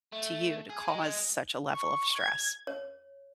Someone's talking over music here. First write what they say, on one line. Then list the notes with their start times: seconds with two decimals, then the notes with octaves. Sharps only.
to you to cause such a level of stress.
0.13 A3
0.70 G#4
0.88 G#3
1.73 C#6
2.18 G#6
2.67 C#5